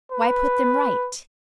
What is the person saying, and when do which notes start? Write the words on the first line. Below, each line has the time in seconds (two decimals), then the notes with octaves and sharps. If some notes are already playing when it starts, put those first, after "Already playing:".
Why put them right?
0.12 B4